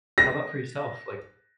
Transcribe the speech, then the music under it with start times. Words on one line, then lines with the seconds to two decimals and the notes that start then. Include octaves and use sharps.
How about for yourself? Like
0.18 A#6